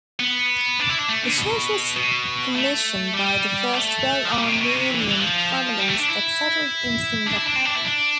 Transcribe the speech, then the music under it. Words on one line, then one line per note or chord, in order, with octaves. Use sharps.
The church was commissioned by the first twelve Armenian families that settled in Singapore.
B3
D4
E4
D4
A3
D3
B2
B2
A3
G3
A3
F3
G3
B2
C3
B2
C3
E3
D3
E3
F3
G3
A3
D4
E4
D4
E4
D4
C4
D4
E4
D4